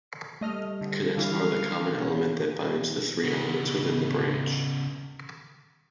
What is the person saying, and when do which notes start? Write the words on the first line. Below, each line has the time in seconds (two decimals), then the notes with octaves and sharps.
Cadets are the common element that binds the three elements within the Branch.
0.41 G3 A3 D#5 F6
0.81 D3 C4
1.17 D3 E3 F5
2.00 E2 C#4
3.23 C#3 B3